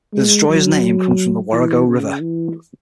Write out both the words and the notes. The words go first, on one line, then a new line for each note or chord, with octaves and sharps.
The destroyer's name comes from the Warrego River.
G#3
F#3
E3
C#3
E3